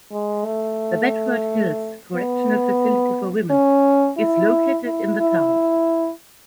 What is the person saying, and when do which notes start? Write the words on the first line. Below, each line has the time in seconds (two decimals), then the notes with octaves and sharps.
The Bedford Hills Correctional Facility for Women is located in the town.
0.12 G#3
0.45 A3
2.15 B3
3.50 C#4
4.18 E4
4.86 E4
5.19 E4